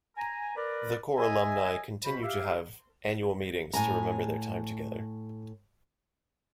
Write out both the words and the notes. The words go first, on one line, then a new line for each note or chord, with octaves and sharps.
The corps alumni continue to have annual meetings to remember their time together.
G#5 A#5
A#4 B4 D5
D#5 E5 G#5
B2 F#4 C5 B5
G4 E5 F5
A2 G#5 A#5